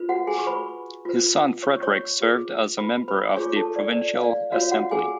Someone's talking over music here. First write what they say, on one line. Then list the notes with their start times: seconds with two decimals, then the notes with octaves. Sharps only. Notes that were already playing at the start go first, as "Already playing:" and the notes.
His son Frederick served as a member of the provincial assembly.
Already playing: F4 B4
0.09 F#4 F#5
0.27 G#4 G#5
0.39 C#6
0.47 B4 B5
1.05 F4 B4
1.63 C#5 C#6
1.82 C#5 C#6
2.21 F4 G#4 B4
2.78 B4 B5
3.08 B4 B5
3.36 D4 F4 G#4 C#5 C#6
3.56 A4 A5
3.76 D5
3.95 D5
4.15 F5
4.23 D5
4.52 F4 F#4 C#5 F5
4.71 F#4 F#5
4.91 G#4 G#5